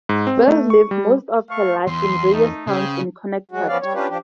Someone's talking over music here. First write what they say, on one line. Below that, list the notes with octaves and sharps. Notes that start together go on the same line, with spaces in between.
Bertin lived most of her life in various towns in Connecticut.
G#2
C4
A3
C#6
G3
A3 F5 C#6
E2 C6
A3 D#4
C#3 G#4 C5 G5
F#3 G#3 F#4
F3 B3 C#4 D5 F5
G3 C#5
C#4 D4 F4 G4 B4
F3 D4 G4